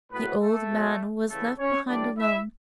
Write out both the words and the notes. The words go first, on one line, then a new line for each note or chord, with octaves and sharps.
The old man was left behind alone.
A2 F#3 B3 B4
A3 A4
B2 F#3
C#3 E3 G3 A3 A4
C#4 C#5
A2 E3 G3 D4 D5
E4 E5